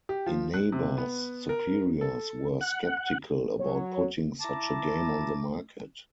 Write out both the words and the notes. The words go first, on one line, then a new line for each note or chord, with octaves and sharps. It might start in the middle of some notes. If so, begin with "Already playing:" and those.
Inaba's superiors were skeptical about putting such a game on the market.
G4
F3
F#6
C3
B3
A#4
A4
F#5
F#3 C#5
E4 A5 A#5 D6